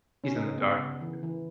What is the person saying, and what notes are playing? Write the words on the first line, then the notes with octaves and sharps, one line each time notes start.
He's in the dark, yeah.
C#4
C#3 D#4
B3
C#3
E3
E3